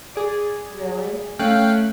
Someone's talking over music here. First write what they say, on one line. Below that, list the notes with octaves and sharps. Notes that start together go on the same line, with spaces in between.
Really? Okay.
G#4 D5
A3 C#4 F5 G5 F#6